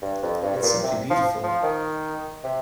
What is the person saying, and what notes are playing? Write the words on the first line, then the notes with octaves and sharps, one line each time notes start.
It’s simply beautiful.
G2
F2
G2
G2
A#2
C3
F3
F3
D#3
C3